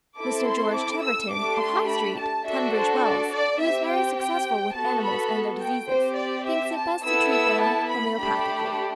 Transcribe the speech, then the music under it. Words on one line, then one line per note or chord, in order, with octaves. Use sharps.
Mr. George Cheverton, of High Street, Tunbridge Wells, who is very successful with animals and their diseases, thinks it best to treat them homoeopathically.
C4 E4 A4 D6
C6
D6
E6
A3 D4 G4 D6
C6
B5
A5
D4 F#4 A4 E5
C5
D5
D5
C4 G4 E5
G5
G5
B3 F#4 A4 A5
B5
G5
C4 G4 C5
D5
E5
A5
B3 E4 A4 E6
E6
A5
B5
A3 D4 G4 B5